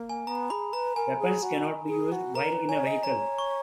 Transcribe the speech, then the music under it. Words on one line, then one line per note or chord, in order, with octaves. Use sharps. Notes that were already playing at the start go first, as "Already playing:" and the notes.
Weapons can not be used while in a vehicle.
Already playing: A#3
G#5
B3 A#5
G#4 B5
B4 A#5
A#4 G#5
G#4
F#4
G#4
F#4
A#4 A#5
B4
C#5 G#5
D#5
C#5 A#5
C#6